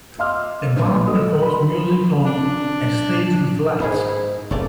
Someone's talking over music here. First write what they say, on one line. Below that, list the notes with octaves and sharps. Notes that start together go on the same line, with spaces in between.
A band performs music on a stage with lights.
D#5 F5 C6 D6 E6 F6
A#1 A#2 B4 C6
F#4 A4 D#5 D#6
B5 C6
D4
G#2 B3 D#4 G#4
D#4 E4
F1 A3 A#3 D5